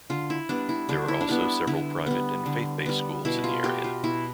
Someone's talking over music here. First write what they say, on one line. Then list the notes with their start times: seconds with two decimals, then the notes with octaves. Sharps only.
There are also several private and faith-based schools in the area.
0.10 D3 F4
0.30 E4
0.49 G3 B3 D4
0.69 E4
0.89 D3 D4
1.08 E4
1.21 D4
1.28 G3 B3 E4
1.67 D3 E4
2.06 G3 B3
2.46 D3
2.86 G3 B3
3.25 B2 E4
3.44 F4
3.64 B3 G4
3.84 F4
4.04 B2 E4